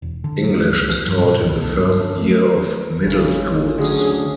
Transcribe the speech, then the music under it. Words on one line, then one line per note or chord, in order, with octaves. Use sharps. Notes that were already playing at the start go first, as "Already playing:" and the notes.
English is taught in the first year of middle schools.
E1
D3
F#3
C#2
F3
G2
B2
C#2
C2
G2
D4
A3
G#1 C#3 G#3
D2 F#3 C#4 D4 G#4